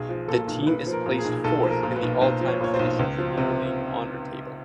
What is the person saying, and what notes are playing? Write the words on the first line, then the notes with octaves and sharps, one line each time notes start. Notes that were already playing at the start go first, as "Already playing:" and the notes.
The team is placed fourth in the all-time Finnish premier league honour table.
Already playing: B1 G#4
F3
A#2 A4
B1
B1 B4
F3
A#4
A#2
G#4
B1
B1 A4
F3
A#4
A#2
B4
B1
B1 C5
F3
C#5
A#2 C#5
C5
B1
C#2
F3
C3